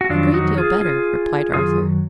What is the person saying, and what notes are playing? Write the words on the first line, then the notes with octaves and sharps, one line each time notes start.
"A great deal better," replied Arthur.
F#4
F2 D#3 F#3 D4 F4
D#4 F#4
F4 G#4
F4 G#4
F#2 D#3 F#3 F4 G#4